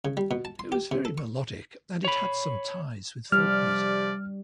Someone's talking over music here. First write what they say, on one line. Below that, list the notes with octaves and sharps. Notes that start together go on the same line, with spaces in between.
It was very melodic and it had some ties with folk music.
C#3
G3
B2
A5
C6
G4
C3
A4
C#6
C#5 B5
C3 F3 G3 G4 D5 F6